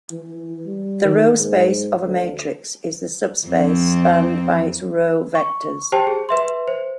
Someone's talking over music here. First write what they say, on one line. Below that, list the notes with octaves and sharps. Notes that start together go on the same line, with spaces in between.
The row space of a matrix is the subspace spanned by its row vectors.
E3
G3
D#3
G#2
D2
F2 C4
C#6
G4 C5 G5 A5
G#4
B4 E5 C6
C5